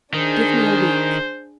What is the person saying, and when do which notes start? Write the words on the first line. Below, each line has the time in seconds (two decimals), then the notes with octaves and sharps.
Give me a week.'
0.14 D#3 D4 G#4 C5